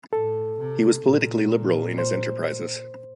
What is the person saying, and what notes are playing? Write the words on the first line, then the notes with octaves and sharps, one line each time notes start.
He was politically liberal in his enterprises.
A2 A4
C3
A#2
C5